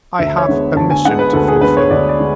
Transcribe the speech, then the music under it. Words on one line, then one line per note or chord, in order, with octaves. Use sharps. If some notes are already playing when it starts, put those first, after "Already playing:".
I have a mission to fulfill.
D2 E5
C#5
D3 G#3 B3
D2 A5
G#5
D3 G#3 B3 F#5
B4
D2 A4
G#4
D3 G#3 B3 B4
C#5
D2 D5
D5
D3 G#3